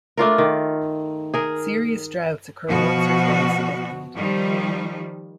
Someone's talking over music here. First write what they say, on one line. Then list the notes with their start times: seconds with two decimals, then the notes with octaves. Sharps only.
Serious droughts occur once or twice a decade.
0.18 A3 D4 F4 A#4
0.38 D#3
1.34 G#4 A#4
2.68 B2 F3 F#4
4.15 D#3 F3 G3